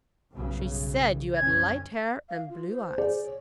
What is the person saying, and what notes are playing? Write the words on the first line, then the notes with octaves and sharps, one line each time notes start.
"She said you had light hair and blue eyes."
B1 G2 C#3
F#2 D3 C#4 G#6
F5
F4
C5
G#4 D5
C#5